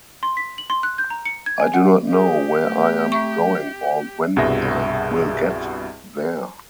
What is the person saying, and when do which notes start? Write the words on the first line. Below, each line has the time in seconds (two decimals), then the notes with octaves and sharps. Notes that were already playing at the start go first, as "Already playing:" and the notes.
I do not know where I am going or when I will get there.
0.23 C6
0.37 B6
0.58 F#7
0.70 C6
0.83 F#6
0.98 G6
1.10 A#5
1.25 C#7
1.46 G#6
1.60 G#5
1.74 F#5
2.10 G4 G#4
2.65 A3
3.12 C4 E5 C#6
4.36 C2 G2 B2 G#4 E5 A#6